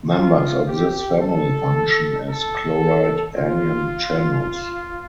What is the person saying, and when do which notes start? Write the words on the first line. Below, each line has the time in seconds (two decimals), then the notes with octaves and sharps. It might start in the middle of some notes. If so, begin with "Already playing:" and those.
Members of this family function as chloride anion channels.
0.13 F4
0.67 G4
1.22 A4
2.30 A4
3.38 F4